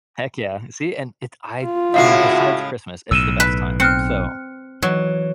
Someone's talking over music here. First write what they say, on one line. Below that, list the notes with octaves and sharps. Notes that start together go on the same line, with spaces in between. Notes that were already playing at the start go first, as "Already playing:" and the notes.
Heck yeah, see? And if I I mean, besides Christmas, it's the best time. So,
F4
A2 C#3 G#3 E4 F#4 F5 C7
B1 A2 E6 D#7 E7
B4
C4 F6 F#6 C#7
E3 F#3